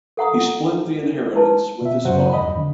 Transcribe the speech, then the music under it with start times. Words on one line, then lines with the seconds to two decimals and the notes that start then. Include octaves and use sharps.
He split the inheritance with his father.
0.17 A4 F#5 A#5 D#6
1.36 E4 B4 A5
1.82 B2 E5
2.04 F#2 C#3 F#3 F#4 C5 F#5
2.33 E2 G2 D#5 B5
2.57 D3